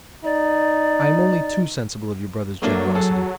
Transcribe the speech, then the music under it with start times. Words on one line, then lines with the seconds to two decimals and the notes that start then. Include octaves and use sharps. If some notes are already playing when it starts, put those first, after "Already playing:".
I am only too sensible of your brother's generosity.
0.24 D#4 D5
2.62 F#3 A3 A#3 D4
2.95 G#4 A4